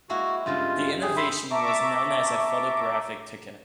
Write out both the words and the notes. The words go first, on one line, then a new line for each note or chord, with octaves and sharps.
The innovation was known as a "photographic ticket".
G#3 A#3 E4 F#4
G2 C#3 G#3 F4
G4 G#4
E5 B5 C6
E5 A5 A#5 C#6 D6